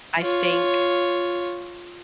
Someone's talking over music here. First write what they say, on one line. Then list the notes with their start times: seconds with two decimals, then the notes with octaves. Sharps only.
I think
0.19 F4 C#5